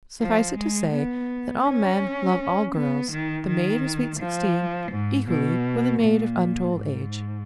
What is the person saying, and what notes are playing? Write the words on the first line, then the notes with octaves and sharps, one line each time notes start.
Suffice it to say that all men love all girls-the maid of sweet sixteen equally with the maid of untold age.
F3
G#3
B3
C#4
B3
D#3
D#3
F3
G#2
B2
A#2
G#2